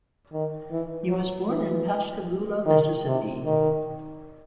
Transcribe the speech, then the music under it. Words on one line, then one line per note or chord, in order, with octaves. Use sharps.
He was born in Pascagoula, Mississippi.
D#3
E3
F#3
E3
D#3
C3
D#3